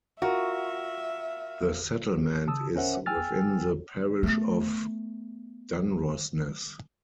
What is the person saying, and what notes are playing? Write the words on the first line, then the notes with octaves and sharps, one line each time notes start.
The settlement is within the parish of Dunrossness.
F4 F#4 A#4 E5
C#3 A5 D#6 E6
C#4 A#4 C5 E5 F#5
G5 G#5 E6 F6 A6
A3 B3